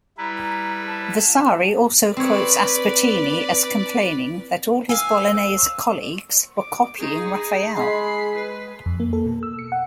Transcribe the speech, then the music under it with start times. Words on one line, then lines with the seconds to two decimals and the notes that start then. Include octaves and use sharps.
Vasari also quotes Aspertini as complaining that all his Bolognese colleagues were copying Raphael.
0.18 G3 E4 B4 A#5
0.87 A5
2.17 C4 B4 C#5 D5
4.89 F5 G#5 E6
6.57 D6
6.97 D#4 G#4
7.77 G#3 B5 C7
8.35 B4
8.86 F2
9.00 A#3
9.13 A4
9.26 B2
9.43 E6
9.59 C#7
9.72 F#5